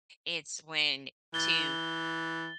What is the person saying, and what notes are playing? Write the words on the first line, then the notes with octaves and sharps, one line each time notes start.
It's when to
E3 A6 G7